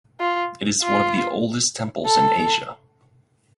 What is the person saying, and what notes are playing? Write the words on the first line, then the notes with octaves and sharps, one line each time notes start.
It is one of the oldest temples in Asia.
F4
F4
A4